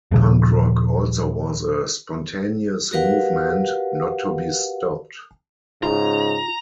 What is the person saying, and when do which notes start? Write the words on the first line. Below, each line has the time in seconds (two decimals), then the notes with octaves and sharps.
Punk rock also was a spontaneous movement, not to be stopped.
0.11 D#2 A#2 C#3 F3
2.91 F#4 G4 A#4 B4 F5 F#5
5.83 G#2 C#3 F4 A#5